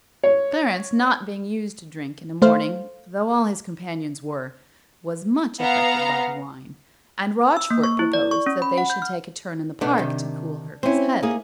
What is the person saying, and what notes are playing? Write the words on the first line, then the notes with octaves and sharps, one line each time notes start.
Clarence not being used to drink in a morning, though all his companions were, was much affected by the wine, and Rochfort proposed that they should take a turn in the park to cool Hervey's head.
C#5
A3 C5 F5
B3 F5 A#5
E6
A#3
C#6
E4
D5
C#6
C#4
B5
F#5
G6
F6
B2 A3 B3 D4
C3 D#3
C4 C#4 E4 C5
A#3 D#4 G#4